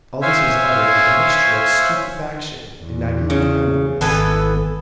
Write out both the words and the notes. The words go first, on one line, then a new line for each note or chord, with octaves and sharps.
All this was uttered with a mixture of stupefaction and naive kindliness.
C5 C#5 E5 F5 G#5
E2
C#3
G#1 E3 B3 A4